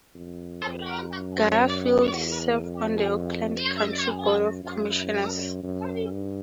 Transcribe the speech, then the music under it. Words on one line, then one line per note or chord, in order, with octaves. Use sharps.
Garfield served on the Oakland County Board of Commissioners.
F2
F2
F#2
E2
F2
F#2
F#2
F#2
G2